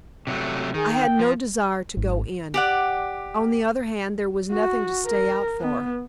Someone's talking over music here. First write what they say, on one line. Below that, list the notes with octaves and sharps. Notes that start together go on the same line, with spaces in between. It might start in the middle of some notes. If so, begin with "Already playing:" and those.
I had no desire to go in; on the other hand, there was nothing to stay out for.
C3 F#3 A3
D#3 G#4
G5
F3
G#1
G4 D5 F#5
F#4
A#4
B3